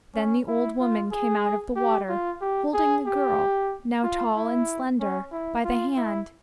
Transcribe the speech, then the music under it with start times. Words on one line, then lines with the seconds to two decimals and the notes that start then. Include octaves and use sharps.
Then the old woman came out of the water, holding the girl, now tall and slender, by the hand.
0.14 C#4
0.47 E4
0.80 F4
1.12 G#4
1.76 G4
2.09 F4
2.41 G4
2.74 G#4
3.06 G4
4.03 F4
4.36 E4
5.00 C#4
5.32 E4
5.64 F4
5.97 E4